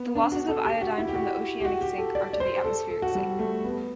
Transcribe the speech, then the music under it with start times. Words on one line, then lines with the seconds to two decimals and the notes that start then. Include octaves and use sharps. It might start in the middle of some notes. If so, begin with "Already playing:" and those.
The losses of iodine from the oceanic sink are to the atmospheric sink.
Already playing: B3
0.15 D4
0.32 F#4
0.48 A4
0.65 G4
0.82 F#4
0.98 E4
1.08 G4
1.15 F#4
1.60 G4
1.65 F#4
1.81 G4
1.98 A4
2.15 D5
2.33 D5
2.40 C5
2.65 A4
2.90 A4
3.02 F#4
3.15 G3
3.39 A3
3.64 B3